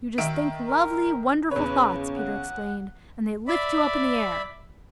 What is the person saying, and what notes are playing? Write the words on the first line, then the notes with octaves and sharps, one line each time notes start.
"You just think lovely wonderful thoughts," Peter explained, "and they lift you up in the air."
D#3 E5 D7
A#4
E2 C#3 B4 C#5
F#5
D5 E5 B5